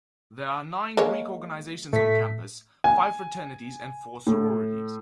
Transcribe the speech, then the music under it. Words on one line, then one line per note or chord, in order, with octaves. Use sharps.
There are nine Greek organizations on campus, five fraternities and four sororities.
G#3 A#3 C#5
A2 A3 B6
G#5
A2